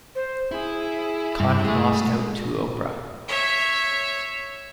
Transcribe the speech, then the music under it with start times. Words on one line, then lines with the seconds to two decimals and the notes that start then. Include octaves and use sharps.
Connie lost out to Oprah.
0.15 C5
0.52 E4 G#4
1.40 G2 G4
1.64 G#3 A3 G#4
3.28 C#5 E5